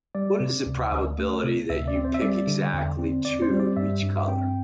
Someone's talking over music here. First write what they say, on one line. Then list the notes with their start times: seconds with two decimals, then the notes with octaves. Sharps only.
What is the probability that you pick exactly two of each color?
0.15 G3 D5
0.40 C3
0.66 D2
0.92 D2
1.18 A3
1.44 C3
1.70 D2 E5
1.88 D5
1.96 C4
2.05 C5
2.14 E5
2.22 G3 D5
2.47 D3
2.73 E2
2.99 C4
3.25 C4 D5
3.42 C5
3.50 G3
3.60 D5
3.77 G2 E5
4.03 G2
4.28 C4 G5